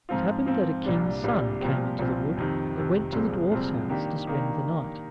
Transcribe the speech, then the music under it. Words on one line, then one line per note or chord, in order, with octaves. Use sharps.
It happened that a King's son came into the wood, and went to the dwarfs' house to spend the night.
G#2 F3 C4 F4
G#2 F3 C4 F4
C2 A#2 G3 D4
C2 A#2 G3 D4
C2 A#2 F3 C4 G4
C2 A#2 F3 C4 G4
F2 C3 D#3
F2 C3 D#3
C2 A#2 F3 G#3 C4
C2 A#2 F3 G#3 C4
D#3 A#3 D4 G4
D#3 A#3 D4 G4